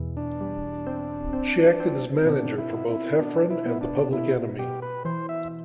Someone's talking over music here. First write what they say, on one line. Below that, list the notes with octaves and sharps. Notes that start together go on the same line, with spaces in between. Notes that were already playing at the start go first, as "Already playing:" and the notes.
She acted as manager for both Heffron and The Public Enemy.
Already playing: E2 B2
D4
G3
C4
C4
C4
B2 D4
E4
B2
E4
B2 D4
E4
B3
D4
B2 E4
B2 G4
B4
E3 C5
E5